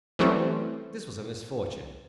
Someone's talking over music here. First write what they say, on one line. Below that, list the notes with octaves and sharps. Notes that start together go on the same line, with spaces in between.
This was a misfortune.
E3 F#3 G3 A3 C4 C#4